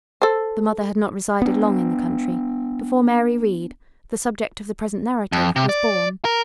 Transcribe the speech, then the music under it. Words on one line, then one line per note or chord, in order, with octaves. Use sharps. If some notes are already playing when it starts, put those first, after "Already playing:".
The mother had not resided long in the country before Mary Read, the subject of the present narrative, was born.
A4 C5
B3 D4
F2
C3
D5
A#4